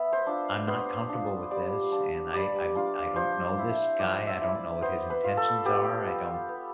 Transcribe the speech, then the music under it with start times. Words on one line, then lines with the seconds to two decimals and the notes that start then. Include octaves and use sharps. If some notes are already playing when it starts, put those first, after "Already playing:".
"I'm not comfortable with this, and I I I don't know this guy, I don't know what his intentions are, I don't,"
Already playing: B3 E5
0.13 C5
0.27 D4 F4
0.68 B3 C5
1.09 D4 F4
1.51 G3 D5
1.92 D4 F4
2.33 G3 D5
2.75 D4 F4
3.16 F3 C5
3.58 C4 E4
3.99 F3 D5
4.27 E5
4.40 C4 E4
4.55 D5
4.82 B3 C5
5.10 B4
5.24 F4
5.37 A4
5.65 B3 G4
6.07 F4
6.48 B3